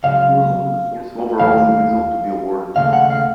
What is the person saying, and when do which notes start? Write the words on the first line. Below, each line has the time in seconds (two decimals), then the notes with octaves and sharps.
He was only the fourth overall individual to be awarded the honor.
0.04 C#2 C#3 F#3 F5
1.40 D#2 D#3 A3 F5
2.76 D#2 C#3 A3 F5
2.93 F#5
3.10 F5